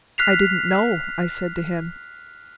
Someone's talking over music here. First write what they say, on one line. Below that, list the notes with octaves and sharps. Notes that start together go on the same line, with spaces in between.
"I didn't know," I said to him.
F6 F#6 B6 C7 F7